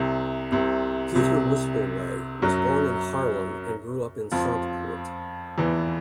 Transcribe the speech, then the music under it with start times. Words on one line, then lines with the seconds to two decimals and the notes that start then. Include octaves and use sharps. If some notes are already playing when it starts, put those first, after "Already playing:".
Pieter Wispelwey was born in Haarlem and grew up in Santpoort.
Already playing: C2 C3
0.52 C2 C3
1.15 C2 C3
2.42 F#2 F#3
4.32 F2 F3
5.58 E2 E3